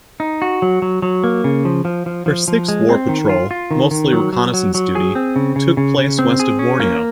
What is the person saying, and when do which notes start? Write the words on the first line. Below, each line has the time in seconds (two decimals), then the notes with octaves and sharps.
Her sixth war patrol, mostly reconnaissance duty, took place west of Borneo.
0.20 D#4
0.42 F#4
0.62 F#3
0.82 F#3
1.02 F#3
1.24 A#3
1.44 C#3
1.65 F3
1.85 F3
2.06 F3
2.26 F3
2.48 F3
2.68 G#3
2.89 C4
3.09 D#3
3.29 F4
3.51 F4
3.71 D#3
3.91 D#3
4.13 F#3
4.33 F#3
4.54 F#3
4.75 F#3
4.95 G#4
5.15 C4
5.36 C#3
5.56 C#3
5.77 C#3
5.98 C#3
6.19 C4
6.40 G#4
6.59 C#4
6.80 A#3